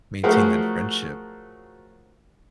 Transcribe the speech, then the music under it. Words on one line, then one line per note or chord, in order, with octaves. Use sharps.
maintain that friendship.
F3 F#3 A3 F#4 G#4 A#4